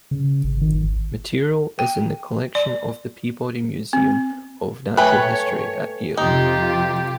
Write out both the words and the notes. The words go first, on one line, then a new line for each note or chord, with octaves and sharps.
Material is in the collection of the Peabody Museum of Natural History at Yale.
C#3
G#1
D#3
G#1
G5
D5
C4
A3 B4 C#5 G5 G#5
F2 C3 D#4 F4 G4